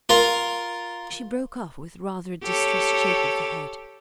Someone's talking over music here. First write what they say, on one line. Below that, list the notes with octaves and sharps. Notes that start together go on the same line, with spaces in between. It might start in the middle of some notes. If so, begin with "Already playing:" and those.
She broke off with rather a distressed shake of the head.
F4 A#4
G4 A4 C#5